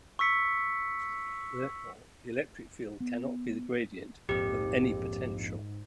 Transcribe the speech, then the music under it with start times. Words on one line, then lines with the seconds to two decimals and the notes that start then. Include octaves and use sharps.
Therefore, the electric field cannot be the gradient of any potential.
0.19 C#6 E6 B6 C#7
3.00 B3
4.29 A#1 F2 G#2 G4